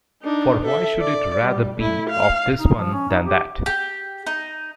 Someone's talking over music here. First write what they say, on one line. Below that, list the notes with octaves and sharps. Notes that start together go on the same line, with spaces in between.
For why should it rather be of this one than that?
D4 D#4
A4 E5
D5
G3
A3 E4
F5
D#4
F3
C#4
D#4
G4
G4
D#4